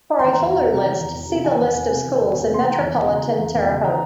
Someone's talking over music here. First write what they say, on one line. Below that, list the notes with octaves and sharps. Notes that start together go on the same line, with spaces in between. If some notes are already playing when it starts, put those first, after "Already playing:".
For a fuller list, see the List of schools in metropolitan Terre Haute.
C6
E3 G5 A#5
E2
E1
C3
E3
E2
E1
C3
E3 F5 G#5
E2
E1
C3
E3
E2
E1
C3
C6
E3 G5 A#5
E2
E1
C#3
E3
E2
E1
C#3
E3 G5 A#5